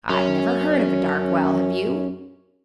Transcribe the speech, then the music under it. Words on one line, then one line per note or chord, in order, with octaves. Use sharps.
"I've never heard of a dark well; have you?"
F#2 C#4